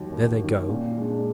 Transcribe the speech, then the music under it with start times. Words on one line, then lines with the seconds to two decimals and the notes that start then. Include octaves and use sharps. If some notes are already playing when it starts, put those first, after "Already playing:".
"There they go!"
Already playing: D#2 D#3 F#3
0.11 D#2
0.39 D#3 F#3
0.69 A#2
0.98 G#3 D4